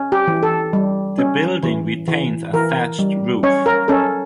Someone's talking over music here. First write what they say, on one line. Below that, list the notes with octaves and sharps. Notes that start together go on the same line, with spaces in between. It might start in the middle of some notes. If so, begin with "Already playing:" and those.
The building retains a thatched roof.
Already playing: C#4
G4
E3
A4
G3
C#4
E3
E3
E3 A#4
G3
C#4 C#5
A#4
C#4 A4